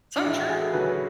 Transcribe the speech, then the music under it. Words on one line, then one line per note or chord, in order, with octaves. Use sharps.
So true.
D4
A2 E3 G#3 E4
F#4
G#4
A4
D2 C#3 F#3 C#4 B4